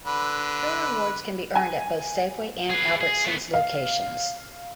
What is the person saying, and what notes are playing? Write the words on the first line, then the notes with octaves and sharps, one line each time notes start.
Fuel rewards can be earned at both Safeway and Albertsons locations.
D3 B4
G#5
G#4 B4
G#4
A3 B3
F5